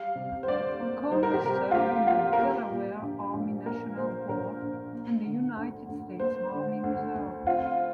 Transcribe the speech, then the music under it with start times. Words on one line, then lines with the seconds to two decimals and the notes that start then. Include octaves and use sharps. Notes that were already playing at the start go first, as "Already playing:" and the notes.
Conners served in the Delaware Army National Guard and the United States Army Reserve.
Already playing: G3 F5
0.15 C3
0.43 C5
0.48 D2 D5
0.80 A#3
1.11 G3 C5
1.23 A#4
1.34 G4
1.44 C3 A#4
1.71 F4
1.74 D2 G4
2.07 A#3 F4
2.33 A#4
2.38 A#3 G4
2.71 A#2
3.01 A#1
3.33 A#1
3.65 A#3 A#4
3.97 A#2 C5
4.29 A#1 A#4
4.61 A#1
4.93 A#3
5.25 D3
5.57 D2
5.89 D2
6.20 A#3 C5
6.52 D3
6.84 D2
7.15 D2
7.47 C4 F4